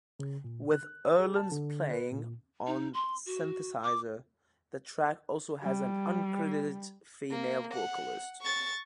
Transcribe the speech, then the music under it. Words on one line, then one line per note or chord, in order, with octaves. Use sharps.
With Earland's playing on synthesizer, the track also has an uncredited female vocalist.
C#3
A#2
F#6
G#4
A5
D3
B4
A#2
D#4
C6
F#4
D6
G3
A#3
F#5
C#6 A6